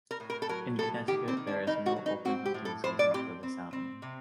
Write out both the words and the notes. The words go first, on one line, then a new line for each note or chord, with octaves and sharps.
In Connecticut there is no open hunting season for this animal.
A#4
A2
A#4
A4
F#3 A#4
A2 A4
D#3 G4
C4
D#3
D4
D#3 D#4
F#4
F#3
D#4
C4 F#4
G4
A2
A4
A2 C5
D5
C4 G4
C4
C4
C3